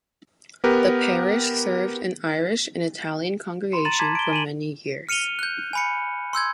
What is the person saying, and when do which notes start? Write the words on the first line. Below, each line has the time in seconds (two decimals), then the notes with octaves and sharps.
The Parish served an Irish and Italian congregation for many years.
0.64 B3 G4 A#4 B4
3.72 B5 C6 C#7
3.85 A#5 B5 A6 D#7 E7 F#7
3.99 A5 A#5 C6 D6 G#6 B6
4.15 D7 G7
4.31 G#5 D#7 E7 F#7
5.09 F6 C#7 D#7 F7 G7
5.39 F#6 G6
5.73 G#5 B5 C#7
6.33 C6 E6 G6 G#6